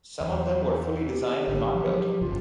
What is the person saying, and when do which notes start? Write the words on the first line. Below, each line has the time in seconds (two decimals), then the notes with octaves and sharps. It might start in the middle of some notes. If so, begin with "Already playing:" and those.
Some of them were fully designed and not built.
0.20 E2 C5
1.04 G4
1.47 G#1 D3
1.74 F3 F#3
2.21 G1 F#2 C#3 F4